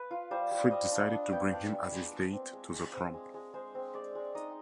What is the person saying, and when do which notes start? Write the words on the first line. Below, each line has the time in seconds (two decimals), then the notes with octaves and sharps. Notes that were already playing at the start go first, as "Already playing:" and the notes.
Fricke decided to bring him as his date to the prom.
Already playing: B4
0.11 F4
0.31 G3 C5
0.51 G3
0.71 G3 D#5
0.92 D4
1.12 D4
1.32 B3 G5
1.52 D4 G5
1.72 G3 G#5
1.93 G#3
2.13 G#3
2.33 C4
2.53 G#3
2.74 G#3
2.93 C4
3.14 G#3
3.34 G#3
3.54 G#3 C5
3.75 C4
3.94 G#3 D5
4.15 G#3
4.35 D#4 D#5